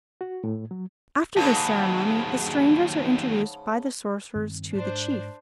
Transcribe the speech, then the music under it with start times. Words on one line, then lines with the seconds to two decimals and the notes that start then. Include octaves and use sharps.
After this ceremony the strangers are introduced by the sorcerers to the chief.
0.21 F#4
0.44 A2
0.71 F#3
1.37 D#2 G#2 C#3 F#3 B3 A5
4.35 G2 D#3 C4
4.74 G#2 D4 C5